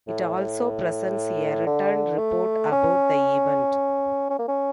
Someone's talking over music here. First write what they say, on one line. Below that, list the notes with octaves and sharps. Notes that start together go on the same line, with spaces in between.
It also presents a written report about the event.
A2
D3
A3
C#4
C#4
A#3
C#4